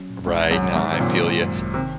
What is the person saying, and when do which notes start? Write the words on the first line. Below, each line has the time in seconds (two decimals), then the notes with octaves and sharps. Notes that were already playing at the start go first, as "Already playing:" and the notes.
Right, no I feel you.
Already playing: F#3 C#4
0.10 A#2
0.26 C2 G#2
0.43 D#3
0.51 F#2
0.60 C3
0.76 G#2 D#3
0.92 C3 D#3
1.00 F#2 A#2
1.08 D#3
1.25 G#3
1.41 F#2
1.58 G#1
1.74 C3 D#3